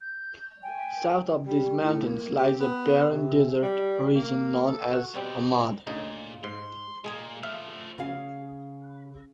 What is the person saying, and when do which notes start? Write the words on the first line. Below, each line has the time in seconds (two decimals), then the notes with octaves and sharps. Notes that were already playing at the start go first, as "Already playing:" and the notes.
South of these mountains lies a barren desert region known as the Hamad.
0.01 G6
0.63 G5 G#5
1.46 G3
1.83 A2
2.06 A#3
2.37 G4
2.60 B3
3.10 C3
3.63 G3
4.15 A#3
4.67 A4
4.93 F#4
5.15 B2 G3 C4 D#4 D5
5.87 D2 A#2 C#3 D#4
6.44 G#2 C6
7.04 A#2 G#3 A#3 G#4 G#5
7.43 F3 A3 E5 F5
7.98 C#3 G#4 F5